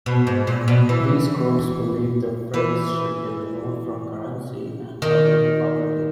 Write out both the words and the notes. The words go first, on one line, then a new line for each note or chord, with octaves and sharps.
These groups believe the phrase should be removed from currency and public property.
B2
G#2
A#2
B2
E3
E3
D#3